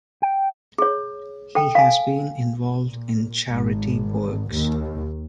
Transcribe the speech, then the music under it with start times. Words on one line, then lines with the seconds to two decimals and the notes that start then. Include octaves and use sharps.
He has been involved in charity works.
0.22 G5
0.78 G#4 C#5
1.55 A4 G5
1.75 F5 G#5
2.80 A#2
3.52 G#1
4.52 D#2